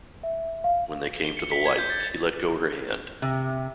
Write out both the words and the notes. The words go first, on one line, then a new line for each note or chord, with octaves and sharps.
When they came to the light, he let go her hand.
E5
F5
G7
C#7
B6
G#6
G6
A6
C3